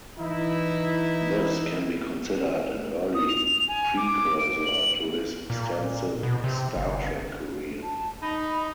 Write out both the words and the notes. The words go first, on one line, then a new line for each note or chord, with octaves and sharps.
This can be considered an early precursor to his extensive "Star Trek" career.
E3 D#4 E4
D#6
F7
G#5
D6
D7
F#7
A#2
B2
C3
G1
A5
D#4 B5